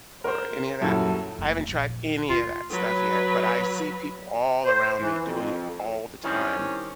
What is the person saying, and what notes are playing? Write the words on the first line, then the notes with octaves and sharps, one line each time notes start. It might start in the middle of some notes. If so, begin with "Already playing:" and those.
or any of that. I haven't tried any of that stuff yet, but I see people all around me doing it all the time,
A#4 C5
D#1 F#2 E4 A4
F1 A#3
A#1
D2 D4 F4
F#3 B4
C5
E3
F2
D#3 G3 C4 C#4 E4